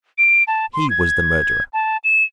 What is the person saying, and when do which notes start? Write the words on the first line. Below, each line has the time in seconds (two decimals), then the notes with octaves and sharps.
HE was the murderer!
0.18 D7
0.47 A5
0.74 C6
0.90 G#6
1.73 A5
2.04 E7